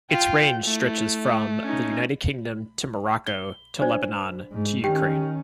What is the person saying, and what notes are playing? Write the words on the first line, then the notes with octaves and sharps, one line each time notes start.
Its range stretches from the United Kingdom to Morocco to Lebanon to Ukraine.
F4 G5
A3 E4
C#4 D#4
G7
D4 C5 D5
G#2
D#3 C#4 G4 G5